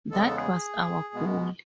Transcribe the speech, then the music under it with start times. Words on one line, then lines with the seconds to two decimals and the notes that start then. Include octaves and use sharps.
That was our goal.
0.10 E2 C#3 G#3 B3 A4
0.26 A4
0.36 G#4
1.14 B2 G#3 B3